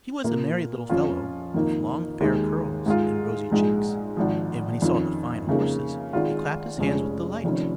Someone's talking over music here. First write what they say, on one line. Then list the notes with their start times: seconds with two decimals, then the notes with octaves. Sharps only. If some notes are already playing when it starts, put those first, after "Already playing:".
He was a merry little fellow, with long fair curls and rosy cheeks; and when he saw the fine horses he clapped his hands with delight.
0.24 A#2 A#3 F4
0.90 F2 F3 C#4 F4
1.54 F2 D#3 A#3 D#4
2.20 D#2 D#3 G#3
2.86 G#2 G#3 F4
3.52 A#1 G#2 G#3
4.17 G#1 G#2 F3
4.82 F2 D#3 C#4 F4
5.47 F2 C#3 A#3 D#4
6.13 G#1 G#2 G#3 F4
6.78 F1 F2 F3 G#3 C#4
7.44 F1 F2 D#3 C#4